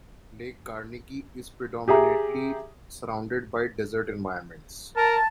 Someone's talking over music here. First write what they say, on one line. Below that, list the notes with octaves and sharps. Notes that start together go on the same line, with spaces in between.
Lake Carnegie is predominately surrounded by desert environments.
G4 G#4 E5 A#5
A#4 A5